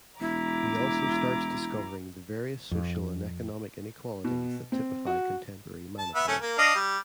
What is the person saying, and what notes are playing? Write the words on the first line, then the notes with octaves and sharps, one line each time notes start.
He also starts discovering the various social and economic inequalities that typify contemporary Manipur.
E1 E4 A#5 D6
F2
B2
C4
F#4
A5
B3 E5
A3 C#4
A#3
D4 D#5 F5
G3